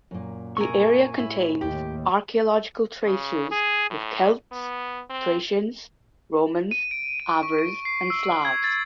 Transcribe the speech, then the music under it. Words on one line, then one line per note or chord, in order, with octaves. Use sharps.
The area contains archaeological traces of Celts, Thracians, Romans, Avars and Slavs.
F#2 A#2
C3 A#4 G#5 C#6
A2 E4
D#2 G4
C#3
G#4
A2
B3
C4
D#7
D7
D#7
C#6
D7
C7
E6
G#6
A6